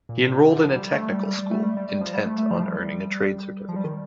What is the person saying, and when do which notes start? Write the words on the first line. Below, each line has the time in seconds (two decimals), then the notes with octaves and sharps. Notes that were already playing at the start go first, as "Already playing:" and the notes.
He enrolled in a technical school, intent on earning a trade certificate.
0.09 A#2
0.26 A#2
0.39 C3
0.51 D3
0.64 F3
0.76 G3
0.93 A3
1.10 G3
1.26 G3
1.39 G3
1.51 A3
1.64 G3
1.77 G3
1.89 G3
2.01 F3
2.14 G3
2.26 A3
2.38 A3
2.51 F3
2.63 G3
3.68 F3
3.76 G3
3.84 D#3